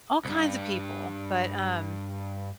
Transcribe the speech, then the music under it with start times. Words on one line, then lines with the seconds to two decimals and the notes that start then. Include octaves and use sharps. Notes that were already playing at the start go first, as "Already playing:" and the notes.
all kinds of people, but, um,
0.25 C2 G2